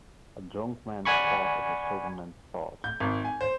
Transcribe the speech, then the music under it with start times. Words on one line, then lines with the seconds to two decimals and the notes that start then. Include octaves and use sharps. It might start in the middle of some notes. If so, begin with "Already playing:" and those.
A drunk man's talk is a sober man's thought.
1.05 D5 F#5 G#5 B5 C#6
2.84 G6
3.00 G#1
3.24 G#5
3.41 C5